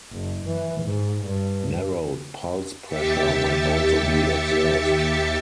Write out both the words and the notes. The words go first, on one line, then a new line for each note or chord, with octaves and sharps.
Narrowed pulse pressure might also be observed.
F#1
E3
G#2
G2
D#2 G4 E5 A6 B6 C#7